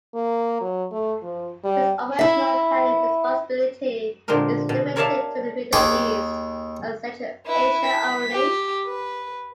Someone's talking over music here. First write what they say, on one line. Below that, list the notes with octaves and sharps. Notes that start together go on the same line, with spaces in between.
His operational planning responsibility is limited to the Middle East and Central Asia only.
A#3
F#3
A3
F3
G3
E4 E5
A#2 D3 G#3 C4 G4 A#4
B2
A#4 C#5 D5 E5 F5 A5
D#2 G#4 G5 D6
E4 B4
B6
G4
B4